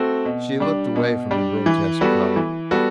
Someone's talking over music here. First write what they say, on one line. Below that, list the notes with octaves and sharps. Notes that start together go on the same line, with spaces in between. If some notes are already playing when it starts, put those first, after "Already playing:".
She looked away from the grotesque car.
Already playing: A3 C4 F#4 A4
B2
G3 D4
B2
G3 D4
E3
G3 B3 F#4 A4
E3
G3 B3 F#4 A4